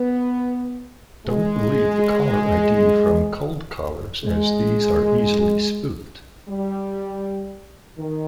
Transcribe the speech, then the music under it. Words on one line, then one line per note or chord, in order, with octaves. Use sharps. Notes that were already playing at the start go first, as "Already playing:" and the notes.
Don't believe the caller id from cold callers as these are easily spoofed.
Already playing: B3
G#3
G#3
G3
D#3